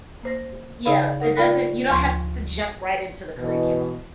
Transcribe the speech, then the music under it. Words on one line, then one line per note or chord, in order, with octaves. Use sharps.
W yeah, it doesn't you don't have to jump right into the curriculum.
A#3 C5 A#6
C#3 D#4 G#4 D5 F5 B5
A#3 D#4 A#4 F#5
F4 D5 G5 B5 F#6 A#6
D2 F3 C6 C#6
B2 E3